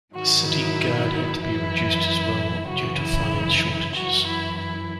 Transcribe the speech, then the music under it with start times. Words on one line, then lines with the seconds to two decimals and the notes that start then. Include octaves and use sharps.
The city guard had to be reduced as well due to finance shortages.
0.14 G#2 D#3 F#3 F#4
0.47 E4
1.42 F#2 E3 E4
2.68 F#2 C#3 E3 F#4
3.00 E4
3.95 F#2 E3 F#4
4.27 E4
4.58 E4